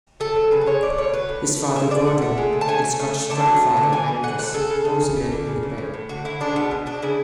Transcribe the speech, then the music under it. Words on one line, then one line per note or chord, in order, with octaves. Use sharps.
His father Gordon and Scottish grandfather Angus also lived in the Bay.
A3 A4
F#3
C#3 B4
B4
G#3 C#5
A3 D5
B2 C#5
F#3 B4
A2
A3
A3
G#3 E5
G#3 D5
A3 F#5
A3
G#3
D3
A5
A3 G#5
A3
A3
A3
D3 A5
F#3
A3
D3
E3 G#5
E3
D3 F#5
A3 F#5
C#3 A4
C#3
C#3
C#3
A3
D3
C#3
E3
A2
A2
D3 F#4
D3 E4
G#3 D4
B2 B3
B2
B2 D4
C#3 E4